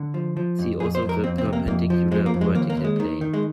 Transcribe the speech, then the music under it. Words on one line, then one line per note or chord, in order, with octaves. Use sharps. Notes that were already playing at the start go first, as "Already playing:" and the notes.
See also the perpendicular vertical plane.
Already playing: D3
F3
F3
F2
F2 G#4
C5
F2
A#4
F2 C4
C4
C3
A#3
F2 A#3
F3
F3 G#3
A#3
F2
G#3
D#2 A#3
A#3
D#2
G#3
D#3
D#3
G#3